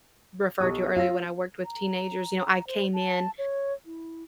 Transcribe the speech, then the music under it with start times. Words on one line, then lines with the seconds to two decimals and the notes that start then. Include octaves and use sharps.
referred to earlier when I worked with teenagers, you know, I came in
0.60 B1 G4 C#6 D#6
0.96 F4 F5 E6 A#6
1.65 A#5
2.67 C5
2.93 A5
3.38 C#5
3.86 E4